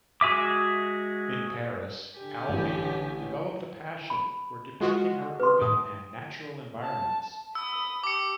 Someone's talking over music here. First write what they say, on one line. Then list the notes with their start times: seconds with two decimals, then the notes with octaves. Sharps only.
In Paris, Albee developed a passion for depicting her urban and natural environments.
0.21 G#3 F#4 G#4 E5 D6
2.16 D3 G4 G#5
2.49 A1 E3
4.10 B5
4.80 G#3 F4 F#4
5.40 B4 C6
5.61 A2 D#6
6.82 A5
7.55 B5 D#6 E6
8.04 G4 A5 D6 C#7